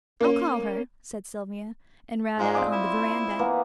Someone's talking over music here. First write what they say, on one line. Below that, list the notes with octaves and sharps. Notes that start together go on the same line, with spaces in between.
"I'll call her," said Sylvia, and ran out on the veranda.
A#3 C#4
G#2 F4 D5
C4 D#5 D6
E4
E3 A#3 B3